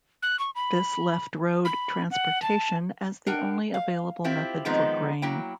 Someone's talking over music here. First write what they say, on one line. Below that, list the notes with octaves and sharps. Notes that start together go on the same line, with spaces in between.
This left road transportation as the only available method for grain.
F#6
C#6
B5
B5
F#5
A5
D4 A#4 F#5 G5
F5
C4 E4 F4 G4
D#3 F3 G#3 B3 C4 D#4
F#3 A#3 E4 G5